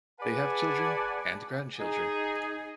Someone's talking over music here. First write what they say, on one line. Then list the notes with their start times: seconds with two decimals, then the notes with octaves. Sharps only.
They have children and grandchildren.
0.20 G#4 B4 D5 F#5 G#5 A5
1.80 D#4 G#4